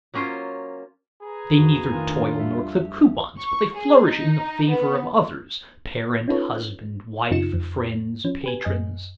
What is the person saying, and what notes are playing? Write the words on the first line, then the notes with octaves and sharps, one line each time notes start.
They neither toil nor clip coupons, but they flourish in the favor of others--parent, husband, wife, friends, patrons.
F#3 A#3 C#4 F4 C5
G#4 B4 G#5 A#5
F2 D4 F#4
D#3 A3 D4 F4 D#6
G3 A4 E5
G4
C#6
G#4
D#4
B3
C#4 D#4 F4 A4 B4 C#5
F#2 C#3 D#4 F4 C#7 E7
F2
F3 C#4
G4 B4 G#5
F#2 D#5 G#5